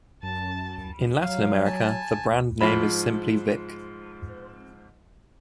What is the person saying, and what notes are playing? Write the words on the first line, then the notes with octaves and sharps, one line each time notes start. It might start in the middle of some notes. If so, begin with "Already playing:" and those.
In Latin America, the brand name is simply Vick.
F#2 A5
F#3 F5
G#5 A5
G#2 F3 B5